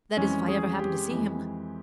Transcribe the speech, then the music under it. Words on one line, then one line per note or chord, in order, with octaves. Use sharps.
That is, if I ever happen to see him.
F2 E3 G#3 C#4
G#4
G4
F2 E3 G#3